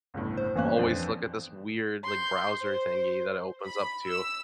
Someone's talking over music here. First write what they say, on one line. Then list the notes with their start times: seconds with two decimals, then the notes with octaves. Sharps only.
always look at this weird, like, browser thingy that it opens up to,"
0.14 G1 C#2 A2
0.37 C5
0.55 G1 E3 A#3 C#4 F#6
0.76 F2 D4 C5
2.04 C6 G6
2.61 C5
3.65 B5
4.06 E6